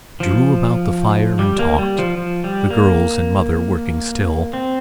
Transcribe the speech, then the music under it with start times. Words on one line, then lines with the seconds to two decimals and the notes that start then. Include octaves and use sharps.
They drew about the fire, and talked; the girls and mother working still.
0.20 F3
1.39 G3
1.59 A#3
1.78 G3
1.99 F3
2.17 F3
2.44 G3
2.70 A#3
4.53 C4